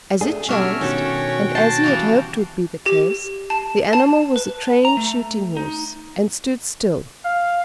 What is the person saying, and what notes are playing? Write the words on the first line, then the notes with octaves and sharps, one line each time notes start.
As it chanced, and as he had hoped would be the case, the animal was a trained shooting horse, and stood still.
A3 D4 G#4
B2 G3 A3 C#4 D4 F#4 E5 F6
B2 D#3 C#4 F#4 A4 G5
C5 A5
C#3 E3 G3
G4
A5
A5
B4
A#5
A3
D#4
F5